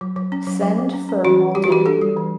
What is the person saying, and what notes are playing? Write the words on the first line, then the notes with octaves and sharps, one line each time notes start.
Send for Muldoon!
F#3
F#3
C#4
F#3
F#3
F#3
C#4
C#4
E3 F#4
E3
G3 G4
F#4
E3 G4
D4 A4
G3
E3